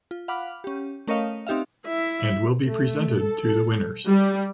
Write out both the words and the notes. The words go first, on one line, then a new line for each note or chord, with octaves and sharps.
And will be presented to the winners.
F4
F5 F#5 B5 D6 F6
C#4 G4
A3 C#4 A#4 C#5 D#5 F5
C4 D#4 G4 E5 F5
E4 E5
A3
A4
G3